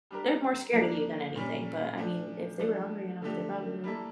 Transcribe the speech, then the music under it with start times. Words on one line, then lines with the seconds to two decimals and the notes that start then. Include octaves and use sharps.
They're more scared of you than anything, but I mean, if they were hungry enough, they probably would.
0.11 G3 D4 G4 A#4
0.72 F3 A#3 D4
1.35 A#2 G3 C#4
1.97 F3 A3 D4
2.59 F3 A3 D4
3.22 D3 F3 A3 D4 G4
3.84 G3 A#3 E4 A4